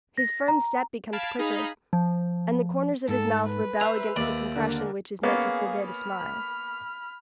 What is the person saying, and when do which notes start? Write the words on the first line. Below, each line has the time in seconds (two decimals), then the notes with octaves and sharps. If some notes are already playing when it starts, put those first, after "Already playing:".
His firm step becomes quicker, and the corners of his mouth rebel against the compression which is meant to forbid a smile.
0.18 A#6
0.48 A#5
1.12 F5 A5 B5 G#6 D7 E7
1.39 D#4 G#4 F5 B5
1.93 F3
3.09 G#2 A4
3.47 B4
3.81 C5 E5 A#5 E6
4.16 D#2 D5
4.56 D3 A#3
5.23 A#3 B3 C#4 G#4 F5
5.85 B5 F6